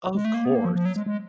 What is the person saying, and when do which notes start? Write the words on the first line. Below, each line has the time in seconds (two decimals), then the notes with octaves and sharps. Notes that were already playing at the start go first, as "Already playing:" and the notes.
Of course.
0.15 G#3
0.25 A3
0.34 A#3
0.45 B3
0.55 A#3
0.65 F3
0.75 F3
0.85 F#3
0.96 G#3
1.06 G#3